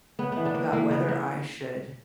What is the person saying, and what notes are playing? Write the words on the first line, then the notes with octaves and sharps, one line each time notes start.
about whether I should
C#3 B3
E3 B3
B3 D4
A#3
E3 A#3
C#3 B3
A#3 B3